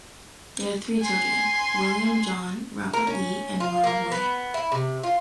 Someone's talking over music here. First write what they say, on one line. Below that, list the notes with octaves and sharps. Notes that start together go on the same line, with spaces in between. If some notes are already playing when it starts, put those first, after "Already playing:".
They had three children, William John, Robert Lee, and Merle Ray.
G#5 C6
A#4
C#4
F4
A#3
B3
E4
C3
F4